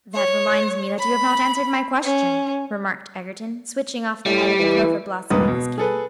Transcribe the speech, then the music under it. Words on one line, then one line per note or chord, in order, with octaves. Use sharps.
"That reminds me that you have not answered my question," remarked Egerton, switching off the head of a clover-blossom with his cane.
C#5
B5
C#4
A2 G3
E3
E1 C#2 G2 A#3 B4 D#6
B2
G#4 A4 B4